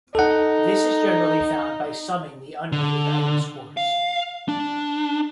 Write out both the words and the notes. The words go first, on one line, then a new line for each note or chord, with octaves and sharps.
This is generally found by summing the un-weighted item scores.
D#4 A4 F#5
D3
F5
D4